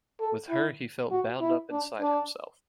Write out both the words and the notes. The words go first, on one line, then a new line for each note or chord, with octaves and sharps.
With her he felt bound up inside himself.
A4
E4
F#4
E4
D4
D4